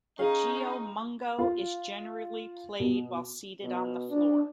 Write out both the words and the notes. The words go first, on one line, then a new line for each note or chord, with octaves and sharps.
The "geomungo" is generally played while seated on the floor.
C#4 D#4 G#4 F5
F4
B2
B2
D4